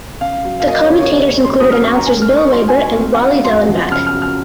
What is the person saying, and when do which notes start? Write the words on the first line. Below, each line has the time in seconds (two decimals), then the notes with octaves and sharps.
The commentators included announcers Bill Weber and Wally Dallenbach.
0.21 C#3 F5
0.45 F#3
0.60 F5
0.67 A#3 D#5
0.83 C#5
0.90 C#3
0.98 C#5
1.13 D#2 D#5
1.29 C#5
1.37 C#4
1.44 C6
1.60 F#3 D#6
1.72 F6
1.83 C#4 C#6
1.95 A#5
2.06 A#3 G#5
2.22 F6
2.30 D#4
2.37 C#6
2.52 F#3 C6
2.68 G#5
2.75 D#4
2.83 G#5
2.99 C4
3.15 F#5
3.22 D#4
3.30 F5
3.45 F#2 C6
3.69 F3
3.91 C#3 F6
4.07 F6
4.14 F#3
4.22 F6